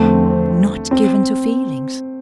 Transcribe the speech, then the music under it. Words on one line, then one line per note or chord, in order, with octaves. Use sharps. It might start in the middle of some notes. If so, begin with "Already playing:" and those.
Not given to feelings!
Already playing: E2 D3 F3 A3 C4
C4